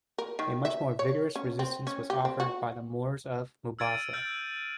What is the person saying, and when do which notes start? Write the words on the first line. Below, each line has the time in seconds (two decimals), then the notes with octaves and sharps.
A much more vigorous resistance was offered by the Moors of Mombasa.
0.18 A#4
0.39 D#3
0.65 E5
0.99 C#5
1.36 C#4
1.59 C4
1.87 C#4
2.10 G4
2.25 C4
2.40 F#4
3.79 E6 F6 G#6 A6 D7 D#7
4.13 E6 F6 G6 A6